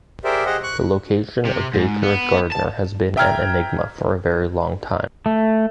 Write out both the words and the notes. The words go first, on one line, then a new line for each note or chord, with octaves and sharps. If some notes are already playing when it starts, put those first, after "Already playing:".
The location of Baker's gardener has been an enigma for a very long time.
G4 G#4 A#4 C5 D5 E5
G4 G#4 C5 D#5 F#5
C#6 F#6
C3
G#2
B3
A5
E5 G5 A#5 F6 G#6
A3